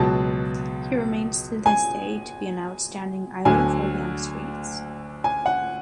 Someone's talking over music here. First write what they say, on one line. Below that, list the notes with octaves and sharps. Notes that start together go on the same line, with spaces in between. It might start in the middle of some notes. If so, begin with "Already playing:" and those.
He remains to this day to be an outstanding idol for young swedes.
Already playing: C#2 B2 F#3 A5
G#5
D2 D3 F#3 G#5
G#5
F#5